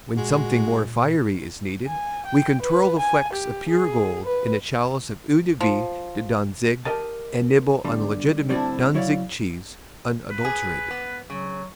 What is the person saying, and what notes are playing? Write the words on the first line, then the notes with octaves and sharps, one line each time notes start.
When something more fiery is needed we can twirl the flecks of pure gold in a chalice of Eau de Vie de Danzig and nibble on legitimate Danzig cheese unadulterated.
A#2 G#3 F#4
G#5
G5
B4
G#5
G4
G#4
B4
F3
G4 A#4 D#5 A5
B2 D3 G3
A2 D3 G3 C4 D4 E4
F#3 E4 C#5 D5 F5
B4
G#4
B3
C#3 F#3